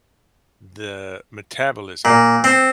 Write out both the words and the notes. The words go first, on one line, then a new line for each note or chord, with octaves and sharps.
the metabolism.
A#2
C4